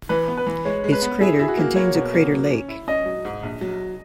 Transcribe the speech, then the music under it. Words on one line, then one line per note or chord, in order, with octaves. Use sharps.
Its crater contains a crater lake.
E3 B4
B3
B4
E3
G#3 C#5
G#3
B4
B3
E4 G#4
E4 G#4
F#4
A#3
A#3 C#5
B2
A#3
F#3
C#4
E4
C#4 D#5
F#3
G#2
A#1
F#3